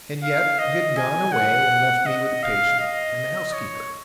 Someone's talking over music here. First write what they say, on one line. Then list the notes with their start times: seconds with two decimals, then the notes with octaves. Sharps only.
And yet he had gone away and left me with the patient and the housekeeper.
0.23 F5
0.59 D#5
0.97 G#5
1.32 F#5
2.06 D#5
2.43 F5
2.80 D#5
3.53 C#5